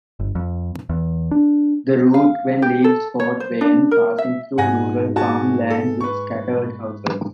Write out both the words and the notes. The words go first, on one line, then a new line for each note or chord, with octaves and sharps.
The route then leaves Fort Wayne, passing through rural farm land with scattered houses.
G1
F2
E2
D4
F5
G4
A4
C#5
C5
D4
A#4
E5
G#2 F#5 G#5 A#6
F#4 G#4 A5
A4
B4 C#6